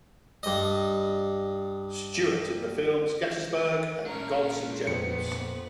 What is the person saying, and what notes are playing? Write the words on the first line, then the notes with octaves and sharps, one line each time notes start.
Stuart in the films "Gettysburg" and "Gods and Generals".
G2 D#5
A#2 C#4 D4 A#4 C#5
F2 B3 B4 C#7